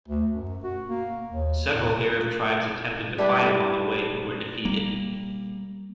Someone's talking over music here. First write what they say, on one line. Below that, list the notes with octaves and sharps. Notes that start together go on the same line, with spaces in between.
Several Arab tribes attempted to fight him on the way, but were defeated.
D2
F#2
F#4
A#3
D#2
A2
G3 D4 E4 B4
G3 A#3